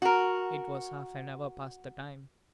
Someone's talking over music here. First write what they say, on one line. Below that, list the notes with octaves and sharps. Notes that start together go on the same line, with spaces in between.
It was half an hour past the time.
F#4 A#4